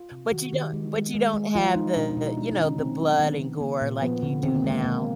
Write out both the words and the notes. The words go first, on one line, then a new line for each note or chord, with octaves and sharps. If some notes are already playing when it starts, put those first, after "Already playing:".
But you don't but you don't have the, you know, the blood and gore like you do now.
Already playing: F4
C3
D#3 F#4
D#3 G4
G#3
G#3
G#3
G#3
F3 F4
G#3 D#4
B2 D4
D#4
B2
E4
G#3 D4
D#4
D#3
C#4
A3 C4
F#3
D#3 B3
D#3
A#3
A#2
F3 B3
D3
D#3 C4
A#3
G#3
A#3
B2 A#3